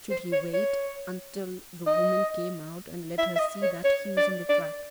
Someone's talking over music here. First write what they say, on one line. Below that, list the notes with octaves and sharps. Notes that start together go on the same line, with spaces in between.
Should he wait until the woman came out and let her see that he was on the track?
C5
C#5
C#5
D#5
E5
E5
D#5
C#5
C#5
D5
D5